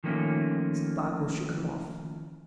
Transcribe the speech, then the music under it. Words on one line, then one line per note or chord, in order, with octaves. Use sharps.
Spargo shook him off.
D#3 F3 A3 A#3 C#4